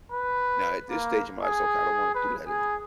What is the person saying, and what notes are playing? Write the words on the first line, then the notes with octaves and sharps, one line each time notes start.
now at this stage, I'm like, "So, okay, I don't wanna do that anymore."
B4
A#3
G#4
B4
G#4